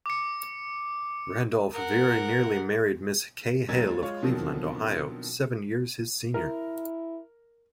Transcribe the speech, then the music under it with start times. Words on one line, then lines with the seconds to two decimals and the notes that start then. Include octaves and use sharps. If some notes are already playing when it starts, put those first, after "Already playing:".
Randolph very nearly married Miss Kay Halle of Cleveland, Ohio, seven years his senior.
0.06 D6 C#7
1.73 A#4 F#5
3.68 D#2 F#3 G#3 A#4 G#6 A6
4.02 G#3 F4 C#5
4.22 B2 D3 D#3 F3 F#3 C4
6.34 E4 A#4